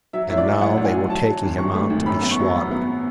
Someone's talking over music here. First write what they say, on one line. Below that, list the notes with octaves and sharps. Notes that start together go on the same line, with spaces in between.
And now they were taking him out to be slaughtered.
F#3 E5
A1 E5
D5
F#3
A1 F#5
A1
G#5
F#3
F#3 A5
F#3
G#1
F#3 C#6
A3
G#1
F#2 B5
B3
C#6
F#3
B3
B3